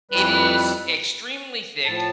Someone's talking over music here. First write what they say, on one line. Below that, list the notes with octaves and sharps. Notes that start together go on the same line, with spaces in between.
It is extremely thick
F2 E3 G3 B4
A2 F3 A5